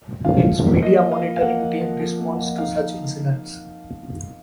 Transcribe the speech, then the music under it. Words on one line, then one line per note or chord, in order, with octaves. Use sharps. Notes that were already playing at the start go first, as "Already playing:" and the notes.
Its Media Monitoring Team responds to such incidents.
F4 F5
F3
A#3
F3 D#5
F4
F5
F3
F5
A#3 F#5
F3
F4
F3
A#3
F3
D#4 F5